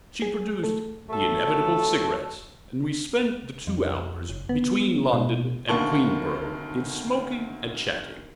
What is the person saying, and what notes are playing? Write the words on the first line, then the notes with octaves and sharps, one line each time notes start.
She produced the inevitable cigarettes, and we spent the two hours between London and Queenborough in smoking and chatting.
G#4
A3 A4
F#3 A3 A4
F2
F#1
B3
B2
F1 D2 D#3 A#3 A5 C#6